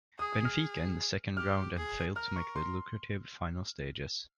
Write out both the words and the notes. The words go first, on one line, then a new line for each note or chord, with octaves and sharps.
Benfica in the second round and failed to make the lucrative final stages.
G#4 D#6
D#6
F6
G4 F6
G#4
A#4 F6
C#6
C6